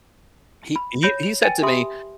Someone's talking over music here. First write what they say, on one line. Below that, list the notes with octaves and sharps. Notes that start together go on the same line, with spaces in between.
he he he said to me,
B5
C#5 B5 G6 A#6
F7
B4 G5 G#5 A6 D#7
G4 E5 B5 C6 D#6